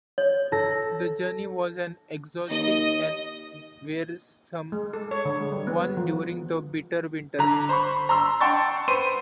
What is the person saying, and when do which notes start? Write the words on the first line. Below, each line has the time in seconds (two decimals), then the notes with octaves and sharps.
The journey was an exhausting and wearisome one during the bitter winter.
0.18 C#5
0.52 A4 A#6
2.51 D#2 D#5
4.72 G#3
4.93 A4
5.11 C#5
5.25 D3
5.40 G#3
5.52 G3
5.67 B3
5.97 F3
7.39 D3 A#5
7.69 C5 B5 C#6
8.09 A#5 C6 E6
8.40 F#5 G5 A5 C6 C#6 A6
8.88 B4 C5 C6 D#7